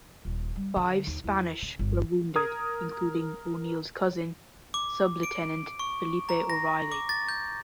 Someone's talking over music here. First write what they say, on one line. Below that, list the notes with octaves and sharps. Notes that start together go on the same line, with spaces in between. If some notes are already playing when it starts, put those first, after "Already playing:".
Five Spanish were wounded, including O'Neill's cousin, Sublieutenant Felipe O'Reilly.
D#1
G3
D3
D#2
E2
C#3
G1
A#4 D#6 G#6
D6
D7
C#6
A#5
A#6
D6
A6
G6